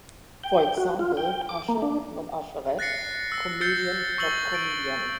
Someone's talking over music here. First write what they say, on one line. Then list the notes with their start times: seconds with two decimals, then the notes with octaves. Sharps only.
For example, "usher", not "usherette"; "comedian", not "comedienne".
0.44 G5
0.78 F#4
0.99 F4
1.17 G5
1.49 D6
1.68 A#3
1.82 D4
2.79 F#6 A6 A#6 C7 C#7
3.32 E6 A#6
3.61 E6 G6 A6 C7 C#7 G7
4.18 C#6 E6 A6 F#7 G7
4.53 A6 D7